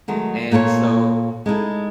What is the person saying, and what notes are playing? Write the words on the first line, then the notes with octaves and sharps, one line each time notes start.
And so
D#3 F#3 G#3 A3
A#2 A#3 A4 B4 C#5
G#3 D#4 E4 A4